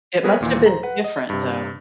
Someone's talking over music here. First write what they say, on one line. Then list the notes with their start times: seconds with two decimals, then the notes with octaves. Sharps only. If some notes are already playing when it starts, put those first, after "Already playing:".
It must have been different, though.
0.23 G3 B3 G#4 A#4 B4 C#5
0.41 D#2 A#2 E3
0.66 C5 A#5
0.83 B4 F#5
1.04 D#5
1.30 G2 C3